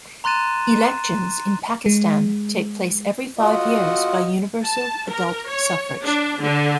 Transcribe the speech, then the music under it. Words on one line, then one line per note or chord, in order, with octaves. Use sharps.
Elections in Pakistan take place every five years by universal adult suffrage.
A#5 C6 F#6 A6 D#7 E7
G#3
F4 F#4 D#5
A5
A#4
C#5
D4
D3